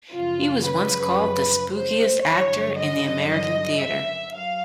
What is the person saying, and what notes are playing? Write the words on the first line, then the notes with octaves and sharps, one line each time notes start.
He was once called "the spookiest actor in the American theatre".
F#2 C#3 F3 F4
B4
C5
G2 D3 F#3 C#5
D#5
D#5
E5
F#3 F5